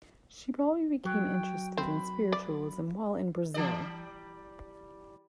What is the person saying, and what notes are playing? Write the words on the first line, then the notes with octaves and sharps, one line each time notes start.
She probably became interested in spiritualism while in Brazil.
F#3 G5
C4 B5
D5
E3 G3 D5